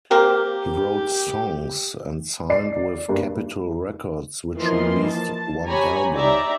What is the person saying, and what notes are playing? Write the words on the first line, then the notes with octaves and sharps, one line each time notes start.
He wrote songs and signed with Capitol Records, which released one album.
A#3 C4 G4 A#4
D5 C7
G2 A#3
E3 F3 A#3 A#4 D#5 C6
A5
G4 C#5 G#5 A#5 B5
D#4 G4 D5 E5 A#5